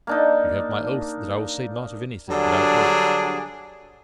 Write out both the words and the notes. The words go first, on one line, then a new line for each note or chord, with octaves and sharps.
You have my oath that I will say nought of anything that I have heard.
A#3 D4 D#4
D3 F#3 G3 D4 G#4